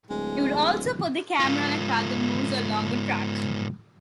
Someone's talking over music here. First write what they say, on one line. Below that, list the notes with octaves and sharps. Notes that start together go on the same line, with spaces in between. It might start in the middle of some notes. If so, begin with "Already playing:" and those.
He would also put the camera on a cart that moves along a track.
D1 G#3
G#2 F4